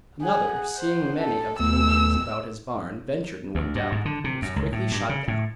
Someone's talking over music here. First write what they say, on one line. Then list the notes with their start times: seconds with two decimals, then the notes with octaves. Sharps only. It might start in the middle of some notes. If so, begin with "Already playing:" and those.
Another, seeing many of the Indians about his barn, ventured and went out, but was quickly shot down.
0.23 G#4 F#5
0.78 C5
1.21 A4
1.60 D#2 A3 B3 E6
3.55 D2
3.75 G2
3.92 G#2
4.05 D3
4.24 C3
4.42 F#2
4.56 C#2
4.72 A2
4.92 G2
5.09 C#3
5.28 A2